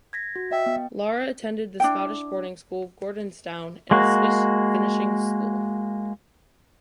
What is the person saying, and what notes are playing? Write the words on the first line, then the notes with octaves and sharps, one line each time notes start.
Lara attended the Scottish boarding school Gordonstoun and a Swiss finishing school.
G#6 A#6 B6
F#4
D#5 E5 G5
B3
D4 E4 G5
G#3 A#3 F#4